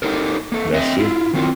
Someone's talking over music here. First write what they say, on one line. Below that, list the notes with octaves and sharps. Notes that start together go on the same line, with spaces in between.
That's true.
D#4 G4 A4 A#4
A#3 A4
C4 D#5 E5
E4 F4
D#3 F#3 C4 F4